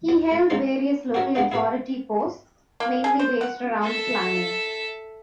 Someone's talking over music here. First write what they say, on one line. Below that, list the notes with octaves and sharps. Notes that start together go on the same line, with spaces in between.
He held various local authority posts mainly based around planning.
D#2
A3
C#3 G#3 D#4 C5
F#4 G4 A4 A#4 C#5 E5
D3 G3 G#3 A#3 B3 D#4
E4 G#4 B4 F5 F#5
A#3
G#4
C5
F#5
A4 E5